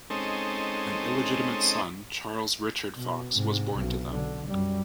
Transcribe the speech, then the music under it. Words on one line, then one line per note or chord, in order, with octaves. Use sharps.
An illegitimate son, Charles Richard Fox, was born to them.
G#3 C4 C#4 D#4 A4
B2
G#2 C3
B1
D3
F#2 G3